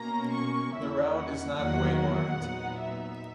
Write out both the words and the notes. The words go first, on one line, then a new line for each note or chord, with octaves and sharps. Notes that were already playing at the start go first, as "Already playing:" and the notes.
The route is not waymarked.
Already playing: B2 A#3 C#4 A#5
C#6
E2 D#3 A#3 C#4 E4 E5
F#5
E2 D#3 F#3 A#3 F#5
F#5
A#2 F#3 B3 D#4
E5